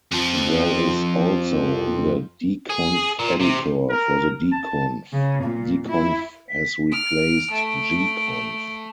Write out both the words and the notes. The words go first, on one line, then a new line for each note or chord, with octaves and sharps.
There is also the dconf-editor for the dconf; dconf has replaced Gconf.
F2 F3
G#4
A#2
C3
A#4
A5
C#3
A#2
E4
B6
F6 D7
A3